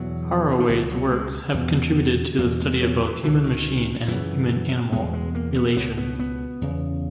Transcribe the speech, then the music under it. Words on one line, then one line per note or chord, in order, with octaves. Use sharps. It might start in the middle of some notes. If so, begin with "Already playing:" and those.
Haraway's works have contributed to the study of both human-machine and human-animal relations.
Already playing: E2 B2 F#3
D#3
C#2 B2 E3
F#3
G#3
E2 B2
E2 B2 A#3
G#3
F#3
E3
C#2 B2 E3
D#3
F#2 C#3 E3
E2 B2 G#3
G#3
A#3
B3
C#2 B2 B3
B3
B3
E2 C#3